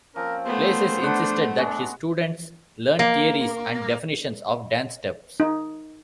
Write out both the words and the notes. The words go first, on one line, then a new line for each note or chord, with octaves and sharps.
Blasis insisted that his students learn theories and definitions of dance steps.
F3 A#3 C4 C#4 A#4
A3 B3 C5
A3 B3 D4 F#5
G#3 D4 F#4
A#3
D#4